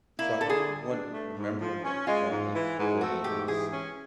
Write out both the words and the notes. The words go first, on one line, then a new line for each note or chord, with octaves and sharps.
so I think one memorable mo moment was
A#3 E4
D3 A4
G#4
G3
D4
A3
G#2
F3
C#4
G#3 F4
G#2
E3
G#2
A3 F#4
G#2 G4
E3 G#4
C#4